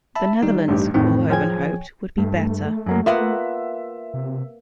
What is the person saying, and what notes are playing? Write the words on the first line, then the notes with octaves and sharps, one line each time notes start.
The Netherlands, Koolhoven hoped, would be better.
E5 A5 B5
D#3 G3 D#4
A1 G2 G4
F2 A2 D#3 C4
F3 G#4 C#5 G5 G#5 G#6
G2 A3
F#2 F#3 A#3
A#3 B3 F4 E5 F#5
C3